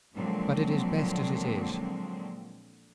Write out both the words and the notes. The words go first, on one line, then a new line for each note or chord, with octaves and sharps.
But it is best as it is.
A#2 D3 F3 F#3 G#3 C4